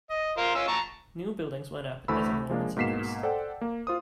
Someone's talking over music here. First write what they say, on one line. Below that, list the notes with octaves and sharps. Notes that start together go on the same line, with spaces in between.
New buildings went up as enrollments increased.
D#5
F4 A#4 C5
C#4 F4 E6
A5 A#5 C#6
D2 E3 A3 C5 B5 E6
F3 G#3 A#3 D4
G#2 B2 A#3 B6 C7 E7
A4 C5 D5 F#5 G5 A5
A#3
F4 C5 D#6